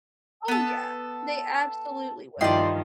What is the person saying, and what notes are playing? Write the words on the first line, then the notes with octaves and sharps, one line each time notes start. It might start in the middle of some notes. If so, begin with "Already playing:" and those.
Oh, yeah, they absolutely will.
B3 A4
G2 D#3 F3 E4 G4 D5 D#5 C6